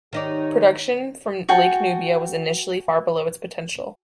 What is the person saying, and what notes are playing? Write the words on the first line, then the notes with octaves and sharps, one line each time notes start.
Production from Lake Nubia was initially far below its potential.
G#2 D#3 D#4 G4 C#5 D5
F#4 G#4 G5 A5